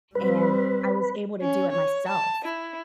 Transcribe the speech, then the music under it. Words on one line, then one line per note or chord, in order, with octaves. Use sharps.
and I was able to do it myself."
G3 C4 B4
C#4
C#5
A5
E4